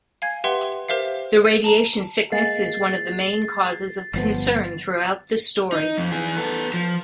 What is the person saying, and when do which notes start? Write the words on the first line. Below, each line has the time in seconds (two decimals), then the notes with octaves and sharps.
The radiation sickness is one of the main causes of concern throughout the story.
0.22 F5 G#5 G#6
0.44 G4 B4 E5 F#5 G5 C6
0.89 G4 A#4 C5 E5 F5
1.45 D#7
1.64 A5 A#5 E7
2.32 G#3 A#3 A6 C7
4.14 G1 F3 B3
5.72 D#4
5.98 F2
6.12 E3 G#4
6.38 B3 A4
6.74 F3